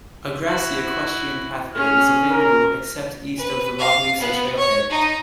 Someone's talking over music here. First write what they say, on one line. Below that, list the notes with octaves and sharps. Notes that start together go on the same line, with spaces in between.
A grassy equestrian pathway is available except east of the Lochloosa trailhead.
E4 F#4
C#4 G#4 F6
A#4
B4
F5
B3
C#5
D#4